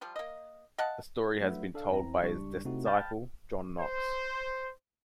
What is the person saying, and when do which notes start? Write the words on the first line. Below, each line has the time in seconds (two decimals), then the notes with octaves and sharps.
The story has been told by his disciple John Knox.
0.01 F3 G3 F4
0.16 A#3 D#5
0.78 D#5 F5 F#5 A5
1.41 F#3 A3 D4 B4 E5 F#5
1.74 D4 A4 D5 F5
1.90 E2 C4 E4 A#5
2.22 C#2 G3 D4 C#6
2.65 C3 A3 C4 D#4 E4 F#4
2.86 G5 A5 B5 F6 G6 A6
3.79 C5